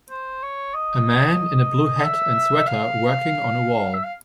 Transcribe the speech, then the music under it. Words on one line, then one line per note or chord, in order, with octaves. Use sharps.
A man in a blue hat and sweater, working on a wall.
C5
C#5
D#5
E5
F5
E5
F5